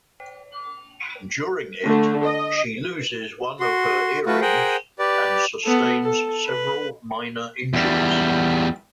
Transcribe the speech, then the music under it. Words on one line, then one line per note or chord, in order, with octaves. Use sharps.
During it, she loses one of her earrings and sustains several minor injuries.
D3 A3
D#5
F#4 C6
A3 F4 F#4 B4
G#4 A#4 C5 F#5 G5
G4 B4 D5
B3 A4
A4
B4
E2 G3